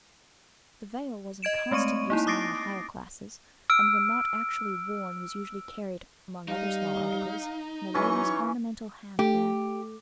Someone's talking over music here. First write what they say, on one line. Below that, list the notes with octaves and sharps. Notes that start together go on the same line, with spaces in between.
The veil was in constant use among the higher classes, and when not actually worn was usually carried, among other small articles, in a lady's ornamental hand-bag.
D#5 G#6 D7 E7
G#3 A3 C4 C#6 D#7
A#3 D#4 E4
D6 D#6 A6 A#6 C7 D7
E6 F6 D7
G3 D#4 F5
E3 F#3 C#4 C#6
A3 G4